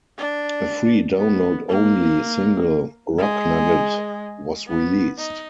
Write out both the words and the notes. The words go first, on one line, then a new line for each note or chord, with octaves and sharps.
A free download-only single "Rock Nugget" was released.
D4
B3
A#3
G#3
B3
D#4